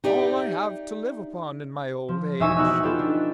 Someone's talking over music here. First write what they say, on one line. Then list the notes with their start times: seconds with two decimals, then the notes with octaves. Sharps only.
All I have to live upon, in my old age.
0.04 D#4 G4 D5 E5
2.09 F3
2.40 E1 D#4 E5 G#5 C#6 E6
2.56 B3 D#4 F#4 G4
2.83 B3 F4 G4 A4
2.99 D4